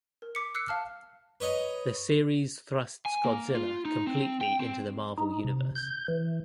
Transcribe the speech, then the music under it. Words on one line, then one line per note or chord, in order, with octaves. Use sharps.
The series thrusts Godzilla completely into the Marvel Universe.
A#4
D6 B6 C#7
E6 F#6 C7 C#7
F5 A5 F6
B4 C#5 D#5 A#5
G#5
A#3
F4
D#4
C4
G5
C4
D#4
C3
G6
E3